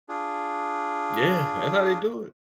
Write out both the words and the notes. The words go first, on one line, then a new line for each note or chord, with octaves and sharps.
Yeah, that how they do it.
D4 F4 G#4